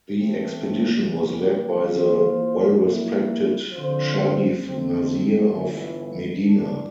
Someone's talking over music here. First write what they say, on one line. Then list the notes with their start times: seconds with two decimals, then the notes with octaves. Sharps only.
The expedition was led by the well-respected Sharif Nasir of Medina.
0.16 E2 E3 A3 C4
1.05 C2 A#2 G3
1.95 E3 A#3 F4 C5
2.84 A#2 F3 A#3 E4
3.74 D3 F3 C4 F4 C5
4.63 F2 D3 A3 C4
5.52 G1 G2 E3
6.40 G2 E3 G3 D4